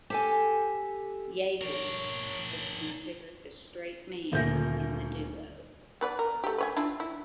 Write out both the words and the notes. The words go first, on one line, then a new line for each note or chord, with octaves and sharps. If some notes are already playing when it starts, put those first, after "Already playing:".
Yabe is considered the straight man in the duo.
G4 A4 G#5
D4 A#4 C#5
D#1 D2 A#3 G6 A#6
B3 B4 D5
A#4
A3 G4
B4 C#5 G#5
D4 E4 F4
E4